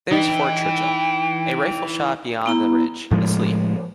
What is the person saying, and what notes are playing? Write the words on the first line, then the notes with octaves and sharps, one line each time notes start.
There's Fort Churchill, a rifle-shot beyond the ridge, asleep.
E3 D#4 G5
B3 E4 A#5
A2 F3 G#3